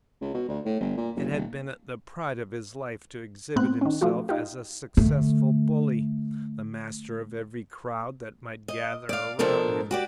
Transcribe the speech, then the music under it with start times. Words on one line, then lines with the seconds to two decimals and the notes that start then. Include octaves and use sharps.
It had been the pride of his life to exhibit himself as a successful bully--the master of every crowd that might gather around him.
0.21 C#2
0.34 B2
0.48 D2
0.65 A2
0.80 G1
0.96 A#2
1.16 F#1
1.31 D#1
3.56 A2 B3 C4 F#6
3.81 D#3 C#4
4.01 F3 A3 F4 F#4
4.29 D#4 F4 G4
4.97 D3 A3
8.68 D#5
9.09 D5 F5
9.39 B2 F3 D4 A4 A#4
9.91 F#4 G4 D5